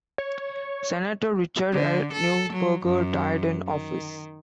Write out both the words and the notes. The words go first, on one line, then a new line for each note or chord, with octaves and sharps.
Senator Richard L. Neuberger died in office.
C#5
D3
A4
F#3
F#2
D#3